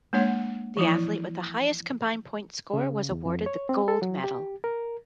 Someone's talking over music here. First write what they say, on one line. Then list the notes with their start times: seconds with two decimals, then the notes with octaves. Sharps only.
The athlete with the highest combined points score was awarded the gold medal.
0.13 G#3 A#3 D4 C#5 F#5
0.77 E3 F3 E4
2.73 C#3
3.10 E2
3.26 F2
3.46 C#5
3.69 C4
3.88 A4
4.02 F#3
4.24 G4
4.64 A#4